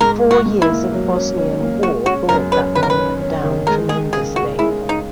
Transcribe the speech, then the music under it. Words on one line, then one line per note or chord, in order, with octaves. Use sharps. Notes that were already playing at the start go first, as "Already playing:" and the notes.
Four years of Bosnian War brought that number down tremendously.
G#2 A#4
A#3
F#4
G#2
E4
A#3
F#3
C#4
C#4
A#3
G#3 F#4
C#4 F#4
F#2 A#4
C#4 B4
D#3 B4
A#4
B4
C#4
C#4
D#3
G#3 A#4
G#3 G#4
C#3 G#4
C#3 F#4
G#3 E4
C#3
D#4